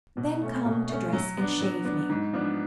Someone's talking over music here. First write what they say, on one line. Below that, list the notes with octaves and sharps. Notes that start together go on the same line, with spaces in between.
"Then come to dress and shave me."
B2
A3 C#4
B2
A3 C#4
F#3
B3 D4
F#3
B3 D4
G#2
F3 B3 D4